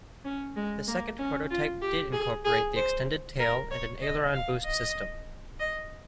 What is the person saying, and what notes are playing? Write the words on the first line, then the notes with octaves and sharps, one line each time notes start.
The second prototype did incorporate the extended tail and an aileron boost system.
C#4
G#3
A#3
C#4
F4
G4
G#4
G#4
C5
A#4
C#5
D#5
F5
D#5
D#5